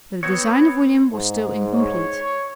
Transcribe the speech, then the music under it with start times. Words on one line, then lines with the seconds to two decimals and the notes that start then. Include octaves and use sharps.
But the design of William was still incomplete.
0.23 B3 C4 F#4 C#5
1.12 G#2
1.73 C#5